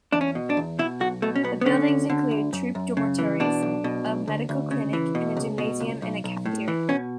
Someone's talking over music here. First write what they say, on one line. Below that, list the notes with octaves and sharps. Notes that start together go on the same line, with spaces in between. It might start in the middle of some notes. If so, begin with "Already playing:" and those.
The buildings included troop dormitories, a medical clinic, a gymnasium and a cafeteria.
E2 D4
C#4
B2
D4
E2
B2 E4
B1 F#4
B2 A3
C#4
B1 B3
B3
D3 C#4
D2
D3
D2
F#2
F#2
C#3
E3
B2 D4
B1
B2
B1
D2
D2
C#3
E3
B2
C#2
B2
C#2
B1
B1
A2
E3
B2 C#4